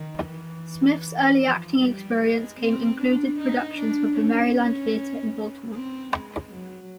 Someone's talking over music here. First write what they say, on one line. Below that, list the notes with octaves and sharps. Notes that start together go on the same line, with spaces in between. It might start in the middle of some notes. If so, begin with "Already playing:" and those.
Smith's early acting experience came included productions with the Maryland Theatre in Baltimore.
Already playing: D#3
E3
F3
G3
G#3
C4
D4
D#4
D4
C#4
C4
G#3
F#3